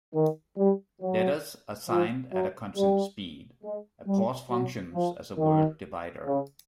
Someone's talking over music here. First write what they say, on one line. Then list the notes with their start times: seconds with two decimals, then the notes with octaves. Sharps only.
Letters are signed at a constant speed; a pause functions as a word divider.
0.14 D#3
0.58 G3
1.01 F#3
1.89 F3
2.33 F#3
2.76 G3
3.64 G#3
4.07 G3
4.50 F#3
4.94 F3
5.38 D#3
6.25 C#3